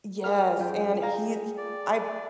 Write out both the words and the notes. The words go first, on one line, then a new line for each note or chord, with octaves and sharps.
Y yes, and he h I
G#3 G#4 A#4 F6
F#2 F4 G#4 G5
F5 A#5
D5